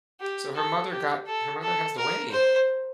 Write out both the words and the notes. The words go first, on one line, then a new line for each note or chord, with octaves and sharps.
So, her mother got her mother has the way.
G4
A4
G4
A4
A4
A#4
C5